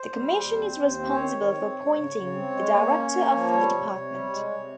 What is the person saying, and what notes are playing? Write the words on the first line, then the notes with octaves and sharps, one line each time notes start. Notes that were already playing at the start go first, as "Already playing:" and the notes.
The Commission is responsible for appointing the director of the department.
Already playing: C5
G3
D#2
C4
D#2
C4
D#3 C#5
D#3
C4
G#2
C#3
C#3
C4
G#3
A#3
C#4
A#3
F3
G3 C#5
C3
C3
G3
G#3
C3